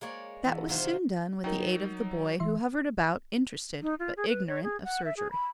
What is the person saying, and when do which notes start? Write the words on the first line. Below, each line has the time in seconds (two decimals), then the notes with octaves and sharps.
That was soon done, with the aid of the boy, who hovered about, interested, but ignorant of surgery.
0.01 G#3 A#3 C#5 D5
0.44 E2
0.68 C3 D#3 F#3 F4 C5
1.44 F#3 D#4 A#4 G5
2.40 E3 E5 C6
3.82 D#4
3.99 F4
4.17 G#4
4.28 B4
4.47 C#5
4.63 G#4
4.84 F#5
5.05 E5
5.17 G#4
5.31 B5